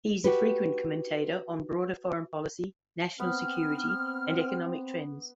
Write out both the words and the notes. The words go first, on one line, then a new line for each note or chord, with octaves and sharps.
He is a frequent commentator on broader foreign policy, national security, and economic trends.
F#4 G4 B4
B3 C4 F6